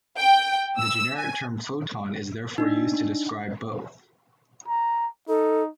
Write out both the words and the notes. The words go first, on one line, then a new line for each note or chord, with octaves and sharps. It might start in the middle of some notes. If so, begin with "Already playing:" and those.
The generic term photon is therefore used to describe both.
G5
E6
G#5
D4 D#4
A#5
D#4 A4